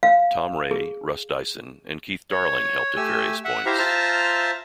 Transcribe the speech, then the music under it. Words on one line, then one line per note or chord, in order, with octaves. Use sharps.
Tom Ray, Russ Dyson, and Keith Darling helped at various points.
F5
G#4
C#5
A3 G4 G#5 E6
E5 F#5
E4 G4 C5 E5 F5 A#5
F4 C5 E5 A5 A#5 F6